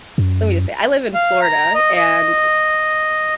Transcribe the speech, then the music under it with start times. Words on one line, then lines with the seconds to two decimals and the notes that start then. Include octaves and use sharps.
let me, just, say, I live in Florida, and
0.18 F#2
1.14 F5
1.42 A#5
1.74 D#5
1.96 D#5